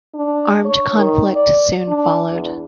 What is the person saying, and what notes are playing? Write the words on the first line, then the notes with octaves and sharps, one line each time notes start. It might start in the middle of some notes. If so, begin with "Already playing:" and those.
Armed conflict soon followed.
D4
C#5
D#3
D5
D4
E2